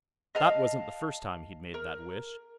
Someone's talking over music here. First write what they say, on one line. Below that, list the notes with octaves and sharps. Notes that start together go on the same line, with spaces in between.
That wasn't the first time he'd made that wish.
D#5 F5 A5
A#4